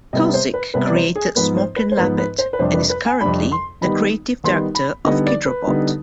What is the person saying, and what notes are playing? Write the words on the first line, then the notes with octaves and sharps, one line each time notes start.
Kozik created Smorkin' Labbit and is currently the Creative Director of Kidrobot.
C3 G3 B3 D#5
C5
B4
C3 G3 B3 B4
D5
C5
G#4
G#2 F3 B3 B4
C5
B4
C5
G#2 F3 B3 B4
B4
C5
B4
F2 C3 G3 D4 C5
B4
B4
G#5
F2 C3 G3 D4 B5
C6
D#3 G3 B3 D#4 B5
D#3 G3 B3 D#4 C6
B5
D3 G3 B3 D#4 D#5
D5
B4
D3 G3 B3 D#4